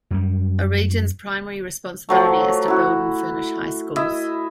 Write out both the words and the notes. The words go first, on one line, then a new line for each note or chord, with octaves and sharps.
A region's primary responsibility is to build and furnish high schools.
F#2 G3
F3 F#3 A3
E4 F#4
E4 D#5 E5